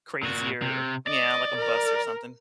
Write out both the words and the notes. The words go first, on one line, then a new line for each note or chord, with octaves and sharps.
crazier, yeah, like a bus or something.
A#2 F#4
C3
D5 D#5
A#4